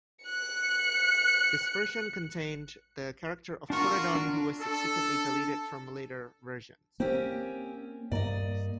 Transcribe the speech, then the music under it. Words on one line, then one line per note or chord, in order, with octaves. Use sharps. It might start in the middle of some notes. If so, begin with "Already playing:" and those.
This version contained the character of Coridon who was subsequently deleted from later versions.
F#6 C#7
D4 F4 F#4 A#4 C#6
D4
A4
A#3 C4 C#4 G4
G2 A#3 D5 D#5